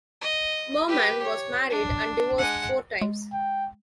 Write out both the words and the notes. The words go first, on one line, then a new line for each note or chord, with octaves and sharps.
Merman was married and divorced four times.
D#5
G4 B4
C#5
D4
G#3 F#5
G#3
G5